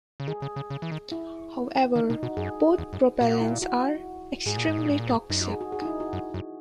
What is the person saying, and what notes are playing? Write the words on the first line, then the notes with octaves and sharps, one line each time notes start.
However, both propellants are extremely toxic.
C#3
D#3 G#4
C#3
C#3
C#3
E3
D#3
E4
D#3 D#4
B2 D#4
B2 F#4
F#2 G#4
E2
F#2
A#2 F#4
E4
F#4
G#2 G#4
A#2
G#2
A#2
G#2
A#2
G#2
F#2 D#4
F#4
G#4
F#4
G#4
D#4
E4
F#4
F#2
F#2